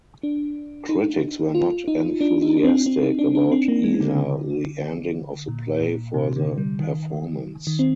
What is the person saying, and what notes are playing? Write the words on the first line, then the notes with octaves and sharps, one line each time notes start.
Critics were not enthusiastic about either the ending of the play or the performance.
D4
D#4
F4
D#4
D4
D#4
D4
C4
C4
D#4
D4
D4
C4
A#3
G#3
D3
A#2
A#2
C3
D3
G3
D#3
D#3
C4